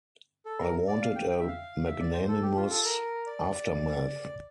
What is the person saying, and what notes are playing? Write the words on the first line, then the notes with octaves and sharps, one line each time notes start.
I wanted a magnanimous aftermath.
A4
A#4
D5
F5
G5
G5
E5
F5
E5
D5
C5
A4
G4
F4
A4
A#4
D5